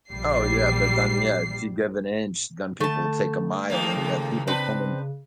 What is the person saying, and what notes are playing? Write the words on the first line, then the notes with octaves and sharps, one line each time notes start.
Oh, yeah, but then yeah, if you give an inch, then people take a mile, then you'd have people come and
A#1 G3 C7
D3 A3 A5
D#2 F3 A#3
C#3
C4 D4 B4